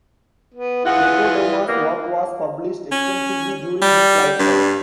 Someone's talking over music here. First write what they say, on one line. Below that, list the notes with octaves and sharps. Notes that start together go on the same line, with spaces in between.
Nechodoma's work was published extensively during his lifetime.
B3
E3 F4 G#4 F#5
A#3 B3
C#4
G3
G2